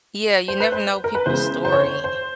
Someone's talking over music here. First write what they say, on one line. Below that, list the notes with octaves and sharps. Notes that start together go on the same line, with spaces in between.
Yeah, you never know people's story.
C5
B4
C5
A#4
B4
C#3 E3 G#3 B3 C5
C5
C#5
C5
C5